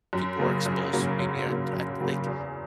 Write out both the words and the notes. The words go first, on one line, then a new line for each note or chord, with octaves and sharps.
people are exposed to maybe at at, like
F#2
C#3 F#3 A#3
F#2
C#3 F#3 A#3
F#2
C#3 F#3 A#3
F#2
C#3 F#3 A#3
E2